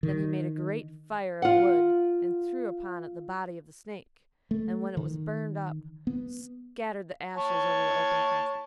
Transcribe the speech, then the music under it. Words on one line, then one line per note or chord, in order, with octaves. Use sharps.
Then he made a great fire of wood, and threw upon it the body of the snake, and, when it was burnt up, scattered the ashes over the open country.
D#3
F4 F#5
A3
D#3
B3
C#5 A5